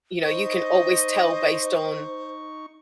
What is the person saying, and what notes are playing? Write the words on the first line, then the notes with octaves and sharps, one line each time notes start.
you know, you can always tell based on,
D#4 C5 D#5 C#6